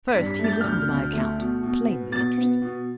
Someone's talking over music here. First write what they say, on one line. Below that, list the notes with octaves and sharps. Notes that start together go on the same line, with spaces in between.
First he listened to my account, plainly interested.
B6
G2
B6
A3
A6
G6
D2 F6
G6
D2
A3
B2
B2
B3
B2 A6
B3
B2